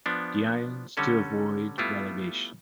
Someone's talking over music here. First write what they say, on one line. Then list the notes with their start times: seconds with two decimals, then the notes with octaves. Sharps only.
Deinze to avoid relegation.
0.06 F3 B3 D4
0.97 D3 G3 C#4 A4
1.78 G3 A3 B3 E4 F4